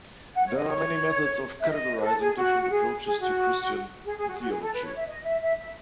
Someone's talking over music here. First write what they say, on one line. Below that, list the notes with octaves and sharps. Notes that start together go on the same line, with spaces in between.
There are many methods of categorizing different approaches to Christian theology.
F#5
C#5
D#5
C#5
E5
D#5
B4
A4
G#4
F#4
F#4
G#4
G#4
F#4
G#4
G#4
F#4
G#4
F#4
G#4
A4
B4
C#5
E5
D#5
E5
E5
E5